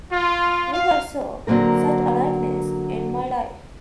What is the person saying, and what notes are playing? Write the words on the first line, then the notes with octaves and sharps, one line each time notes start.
Never saw such a likeness in my life!
F4
F5
D3 F#3 A#3 C4 A#4